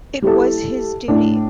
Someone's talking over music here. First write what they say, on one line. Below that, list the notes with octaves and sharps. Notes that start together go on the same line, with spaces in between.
It was his duty.
G3 E4 A4
A2 A3 D4